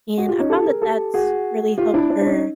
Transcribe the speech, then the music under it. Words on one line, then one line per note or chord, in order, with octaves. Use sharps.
and I found that that's really helped her
F#4 G#4
F4 G4
C#4 D#4
G4 A4
G#4 A#4
G4 A4
F#4 G#4
F4 G4
D4 E4
D4 E4
D4
C#4 D#4